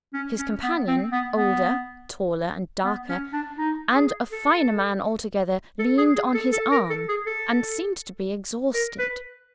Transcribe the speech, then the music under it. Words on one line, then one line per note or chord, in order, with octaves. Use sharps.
His companion, older, taller, and darker--and a finer man altogether--leaned on his arm and seemed to be exhausted.
C#4
C#4
B3
C4
B3
B3
B3
C#4
D4
D#4
G#4
A4
A4
G#4
G#4
A4
A4
A#4
A4
G#4
A4
A#4
B4